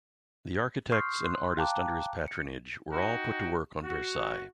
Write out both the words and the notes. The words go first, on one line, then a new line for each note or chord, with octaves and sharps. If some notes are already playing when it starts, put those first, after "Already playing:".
The architects and artists under his patronage were all put to work on Versailles.
C6 C#6 D#6 F6 G6 C7
C6 E6 F#6
F5 G5 A5 A#5 D6 F#6
C#7
D#4 F#4 G5
F#4